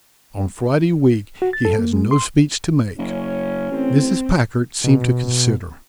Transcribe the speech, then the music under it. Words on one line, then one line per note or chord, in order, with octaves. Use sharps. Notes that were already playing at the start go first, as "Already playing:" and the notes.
"On Friday week he has no speech to make." Mrs. Packard seemed to consider.
F#4
A6
A4
A#3
G#3
C6
F#1 C#4
A1 C4
B2